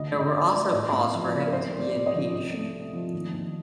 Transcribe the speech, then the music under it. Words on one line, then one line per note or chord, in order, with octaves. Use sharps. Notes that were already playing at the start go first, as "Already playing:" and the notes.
There were also calls for him to be impeached.
Already playing: D2 D#5
D2
D#5
D3
D5
A3
A2 D#5
A2
F5
F3
D5
A#3
A#4
C2 C5
A3
D5
C3
D#5
F3
C2
A3
C3
F3
D#2
D#2